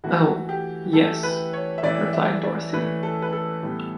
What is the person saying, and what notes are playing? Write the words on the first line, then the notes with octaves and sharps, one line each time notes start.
"Oh, yes;" replied Dorothy.
E3 A3 E4 F#4
G4
E3 A3 E4 A4
B4
C#5
E5
E3 A3 E4 D5
E5
D5
E3 A3 E4 B4
A4
B4
A4
A2 E3 G3 B3